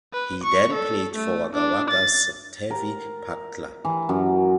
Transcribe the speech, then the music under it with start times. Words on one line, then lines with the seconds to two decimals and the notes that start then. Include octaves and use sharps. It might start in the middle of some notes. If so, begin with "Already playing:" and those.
He then played for Wagga Wagga's Turvey park club.
0.13 B4
0.44 C#6
0.73 A4
1.16 A3
1.54 D4
1.90 A6
2.70 A#4
3.85 E3
4.09 F#2